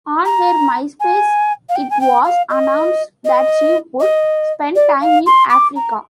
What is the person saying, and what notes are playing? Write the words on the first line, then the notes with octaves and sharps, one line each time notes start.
On her Myspace it was announced that she would spend time in Africa.
A#5
G#5
F5
G5
G#5
G5
F5
D#5
D#5
D#5
D5
F5
C6
D6
A#5